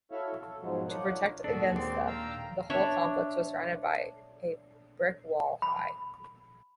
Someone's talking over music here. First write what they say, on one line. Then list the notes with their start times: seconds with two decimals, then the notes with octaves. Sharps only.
To protect against theft, the whole complex was surrounded by a brick wall high.
0.12 E4 F#4 A4 C#5 E5 F5
0.36 A4
0.60 G#2 B2 F3 F#3 G#3
0.87 D4 D#4 F4 A#4 C#5 F#5
1.44 D#2 A#2 G#3 D4 F#4 A4
1.75 C4 C6 D6
2.07 F5 G5 A#5 E6
2.70 D4 C#5 E5
5.62 B5